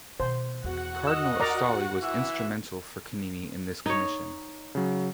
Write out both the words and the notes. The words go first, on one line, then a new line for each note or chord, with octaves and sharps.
Cardinal Astalli was instrumental for Canini in this commission.
B2 D#3 C5
E2 F#4 F#5
D#5 E6
A#4 D5 A#5
E3 E5
D#4 C#5
C#3 F#3